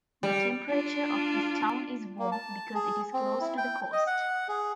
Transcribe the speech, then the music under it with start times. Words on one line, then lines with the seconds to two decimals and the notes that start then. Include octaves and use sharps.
The temperature of this town is warm because it is close to the coast.
0.23 G3
0.69 D4 F4
2.19 A#3
2.32 A5
2.75 G#4
3.13 C4
3.41 E4
3.57 G5
3.92 D#5
4.07 F#5
4.48 G#4